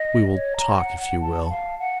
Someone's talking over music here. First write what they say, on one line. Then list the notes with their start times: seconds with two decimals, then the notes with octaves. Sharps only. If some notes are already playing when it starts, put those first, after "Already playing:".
"We will talk, if you will."
Already playing: D#5
0.35 C#5
0.57 A#5
0.77 F#5
1.00 F#5
1.21 A5
1.50 F5
1.79 F#5